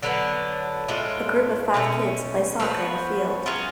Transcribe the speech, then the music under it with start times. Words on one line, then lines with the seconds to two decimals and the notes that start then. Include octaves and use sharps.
A group of five kids play soccer in a field.
0.02 D3 F#3 B3 D4
0.88 A2 G#3 D4 F4
1.74 B2 A3 C#4
2.60 F3 B3 F#4
3.46 F#3 C#4 F4 G#4